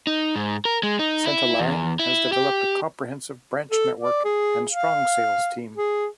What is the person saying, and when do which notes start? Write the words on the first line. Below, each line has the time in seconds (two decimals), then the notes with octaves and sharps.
Centaline has developed a comprehensive branch network and strong sales team.
0.07 D#4
0.36 G#2
0.65 A#4
0.83 G#3
0.99 D#4
1.26 E4
1.60 E2
2.00 E4
2.32 G4
3.71 A4
4.00 D5
4.24 G#4
4.71 F5
5.78 G#4